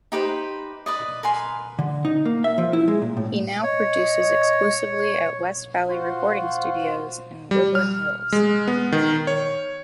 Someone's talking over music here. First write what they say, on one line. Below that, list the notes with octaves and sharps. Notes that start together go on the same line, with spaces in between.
He now produces exclusively at West Valley Recording Studios, in Woodland Hills.
D#4 G4 B4 C5
B4 D5 D#5
A#4 B4 G#5 C6
D3
D#4
A#3
E5
F3
E4
G#3
A#2
A2
C#5 D#5
F4 F#4 C5
G3
F6
G#3
B3
D#3
C#5